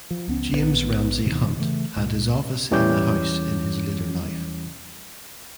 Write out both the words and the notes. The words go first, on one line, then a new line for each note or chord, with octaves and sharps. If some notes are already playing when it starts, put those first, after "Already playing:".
James Ramsay Hunt had his office in the house in his later life.
F3
C#2 B3 C#4
A#1 E3 B3
D#1 E2 C3 D#3
C#3 E3 G#3 A3
C#2 A#2
E2 E3 G3 C#4 D6 G6